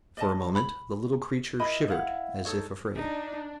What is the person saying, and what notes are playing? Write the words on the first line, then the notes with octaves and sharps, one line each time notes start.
For a moment the little creature shivered as if afraid.
D5 D#5 A5
B5
E4 A#4 D#5 B5
E4 F5 F#5
D#4 G#4 A4 C#5
D4 D#4